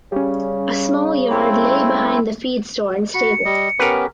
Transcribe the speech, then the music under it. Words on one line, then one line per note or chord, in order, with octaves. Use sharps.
A small yard lay behind the feed store and stable.
C#3 G3 C#4
A3 C4 E4
F#4 B5 C#7
G3 D#5
B3 C#4 G4 A#4 B4